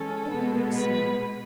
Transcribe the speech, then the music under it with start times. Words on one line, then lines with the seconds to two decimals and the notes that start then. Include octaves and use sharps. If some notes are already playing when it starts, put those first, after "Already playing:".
Then he heard singing.
Already playing: E3 G#3 C#4 A4
0.30 B2 G#3 B3
0.75 B4